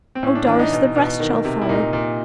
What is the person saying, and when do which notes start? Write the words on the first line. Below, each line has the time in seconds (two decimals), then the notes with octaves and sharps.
Oh, Doris, the rest shall follow.
0.15 C4
0.23 A2 C#4
0.35 D4
0.47 E3 D4
0.59 D#4
0.72 B2
0.95 B2
1.20 D#3
1.45 C3
1.62 E4
1.69 A#2 D#4
1.93 A#2